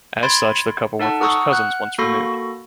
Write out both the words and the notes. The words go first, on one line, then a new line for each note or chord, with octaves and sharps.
As such, the couple were first cousins once removed.
B5 C6 G#6 A6 D7
D#4 A4 F#5 A5
F#5 A#5 C#6 D#6 E6
F#5 F6 F#6
A#3 F#4 A4 B5 C#6 A#6